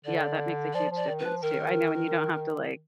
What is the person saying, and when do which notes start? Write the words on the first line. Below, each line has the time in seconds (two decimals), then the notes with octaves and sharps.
Yeah, that makes a huge difference, too. I know when you don't have to, like,
0.05 D3 D5
0.73 F3 D5
0.91 F3
0.96 D5
1.08 D#3
1.19 B4
1.25 F3
1.42 D#3 A#4